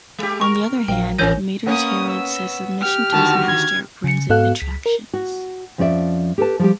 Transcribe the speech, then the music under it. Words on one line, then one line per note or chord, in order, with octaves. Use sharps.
On the other hand, Matur's herald says submission to his master brings its attractions.
G#3 G4
A#4 C#6
A#1 F5 G5
A1 E3 C#4 A#4 C#5 G6 A#6 D#7
A#3 B3 C#4 D#6
E6
G4 F6
D#2 D3 F#4 A5
G#6
C#3 C#7
G#2 B3 F#4 A4 F5 F#6
C#2 B6
A#4
F#4
F2 F3 C#4 F4 D5 E5
G4 A4 B4 A5
F3 G3 G4